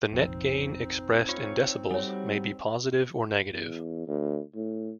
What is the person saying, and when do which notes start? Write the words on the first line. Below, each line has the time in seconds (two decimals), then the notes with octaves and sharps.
The net gain expressed in decibels may be positive or negative.
0.12 F1 A#1 F2 C4 D#4
1.29 F4 C#5 F5 C#6
1.91 G3 F#4 A4 C#5
3.52 E2
4.07 D2
4.55 A2